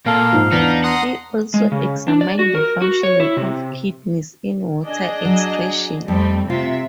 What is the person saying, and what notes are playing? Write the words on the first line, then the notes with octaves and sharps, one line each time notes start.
He also examined the functioning of kidneys in water excretion.
A#2 A#3 A4 F5
G#2 F3
E2 B3 D4 D#4
F#5 A#5 C6 D#6
G#3
C#3
D4
D5
F#4
A#4
F#4
C#5
E4
C3
D4 G#4 D#5
F#3
F2 G3 A3 C4
C3 F4 E5